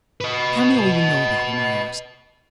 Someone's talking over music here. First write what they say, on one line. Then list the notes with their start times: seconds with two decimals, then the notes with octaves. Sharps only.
"Tell me all you know about him?" I asked.
0.21 B4 D#5